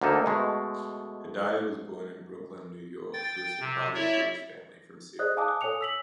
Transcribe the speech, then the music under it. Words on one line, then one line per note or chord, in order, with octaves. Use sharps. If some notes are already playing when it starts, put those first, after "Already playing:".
Hedaya was born in Brooklyn, New York, to a Sephardic Jewish family from Syria.
D2 D3 A#3 D#4 A4
B2 G#3 A3
G5 A6
C3
E4 C#5 D5 E5
G#4 C5 D5 D#5 D#6 F#6
F5 G#5 A5 D6 D#6 F#6
A4 C#5 G#5 D#6 C#7 F7
E6 B6 F#7